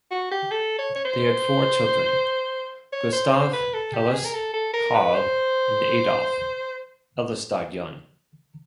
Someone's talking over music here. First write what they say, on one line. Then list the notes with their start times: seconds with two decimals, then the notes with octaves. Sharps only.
They had four children, Gustav, Elis, Karl and Adolf; Elis died young.
0.11 F#4
0.31 G4
0.51 A4
0.79 C#5
0.95 C#5
1.05 C5
2.93 C#5
3.13 C5
3.34 C5
3.53 B4
3.74 A4
3.94 G4
4.13 G#4
4.25 A#4
4.34 A4
4.54 A4
4.74 A#4
4.94 B4
5.15 C5